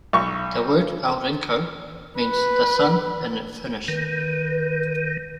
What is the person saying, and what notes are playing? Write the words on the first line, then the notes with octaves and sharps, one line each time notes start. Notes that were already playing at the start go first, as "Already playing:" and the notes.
The word "Aurinko" means "The Sun" in Finnish.
B1 C#6
B4
D#3 B4